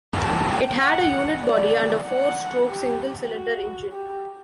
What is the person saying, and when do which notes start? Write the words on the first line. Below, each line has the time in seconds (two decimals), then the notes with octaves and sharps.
It had a unit body and a four-stroke single-cylinder engine.
0.20 A5
0.51 G5
0.82 F#5
1.44 D5
2.06 F#5
2.68 G4
3.30 F#4
3.93 G4